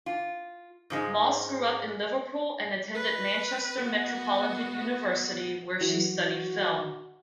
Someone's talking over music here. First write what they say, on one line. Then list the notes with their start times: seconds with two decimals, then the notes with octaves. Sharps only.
Moss grew up in Liverpool and attended Manchester Metropolitan University, where she studied film.
0.06 F4
0.90 G#2 F3 G#3 D#4
2.95 B4
3.80 B3 F#4
5.81 E3 F#3 F#4